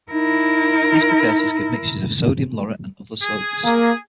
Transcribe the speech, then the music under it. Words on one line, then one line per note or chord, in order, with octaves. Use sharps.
These precursors give mixtures of sodium laurate and other soaps.
D#4 E4 A#4
G#4
A#3